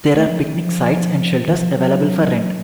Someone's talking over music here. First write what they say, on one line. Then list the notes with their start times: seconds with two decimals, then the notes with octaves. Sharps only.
There are picnic sites and shelters available for rent.
0.14 A3
0.29 F3
0.43 D#3
0.58 F3
1.45 D#3
1.59 F3
1.74 F#3